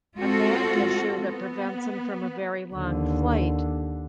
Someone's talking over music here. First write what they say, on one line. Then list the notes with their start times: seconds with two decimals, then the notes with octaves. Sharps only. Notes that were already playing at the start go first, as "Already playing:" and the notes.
a back issue that prevents him from a very long flight.
0.16 G#3 C4 F4 F#4 A4
1.19 B3
2.75 D#2 D3